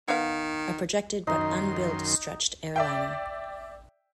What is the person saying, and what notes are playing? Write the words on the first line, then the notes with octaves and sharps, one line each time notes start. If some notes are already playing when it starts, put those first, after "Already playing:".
A projected but unbuilt stretched airliner.
D#3 B3 F5
F#2 D#3 D#4 C6
D5 E5 G5